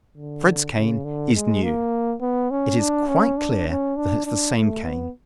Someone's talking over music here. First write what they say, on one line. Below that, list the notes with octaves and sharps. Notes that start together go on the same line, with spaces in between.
Fred's cane is new. It is quite clear that it's the same cane.
D3
C#3
D3
G#3
A#3
B3
C#4
D4
C#4
D4
C#4
D4
D4
A3
B3